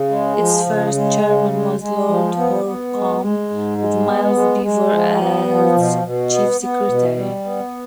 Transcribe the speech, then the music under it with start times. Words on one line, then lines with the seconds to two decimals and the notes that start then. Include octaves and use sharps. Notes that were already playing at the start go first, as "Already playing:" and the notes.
Its first chairman was Lord Hurcomb, with Miles Beevor as Chief Secretary.
Already playing: C#3
0.10 G#3
0.38 F3
0.66 C#3
0.95 G#3
1.24 C#3
1.52 G#3
1.79 G#3
2.08 F3
2.37 B3
2.65 B3
2.93 G#3
3.21 G#3
3.50 G#2
3.78 G#3
4.06 B3
4.34 G#3
4.62 G#3
4.91 F3
5.19 B3
5.47 F3
5.76 B2
6.04 B2
6.32 B3
6.61 B3
6.89 B2
7.16 G3
7.45 B3